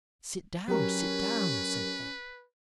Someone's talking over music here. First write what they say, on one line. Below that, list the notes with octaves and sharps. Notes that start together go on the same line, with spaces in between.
"Sit down! sit down!" said they.
F#3 C#4 G4 A#4 B4